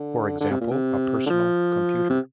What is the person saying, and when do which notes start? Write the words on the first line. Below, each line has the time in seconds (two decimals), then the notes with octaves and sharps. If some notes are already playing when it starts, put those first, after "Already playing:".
For example, a personal computer.
Already playing: D3
0.40 D3
0.50 C3
0.60 A#2
0.71 C3
1.26 D3
1.30 F3
2.10 C3